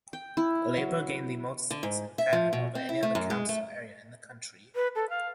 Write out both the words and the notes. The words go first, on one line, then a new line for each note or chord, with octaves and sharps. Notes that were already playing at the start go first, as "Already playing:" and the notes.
Labour gained the most seats in Thanet over any council area in the country.
G5
E4
F#3
D3
G#2
E5
F3
B2
C4
E4
A3
F#2
G#3
A3
B4
A4
F5